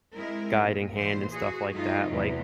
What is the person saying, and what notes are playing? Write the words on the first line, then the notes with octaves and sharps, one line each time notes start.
guiding hand and stuff like that, like,
G#3 C4 E4 A#4
A#2
A#2 E3 C5
F#4 G#4
G2 A3 D#4 F4
E2 A2 C3 E3 F#3